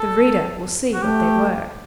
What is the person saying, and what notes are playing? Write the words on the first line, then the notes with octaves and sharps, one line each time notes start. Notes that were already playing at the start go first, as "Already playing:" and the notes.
The reader will see what they were.
Already playing: A4
F#4
A3 G4